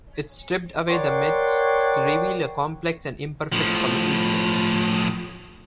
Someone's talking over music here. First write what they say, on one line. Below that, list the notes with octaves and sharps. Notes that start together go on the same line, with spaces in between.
It stripped away the myths, to reveal a complex and imperfect politician.
A#4 C#5 D5 F#5 G5 C6
A2 F3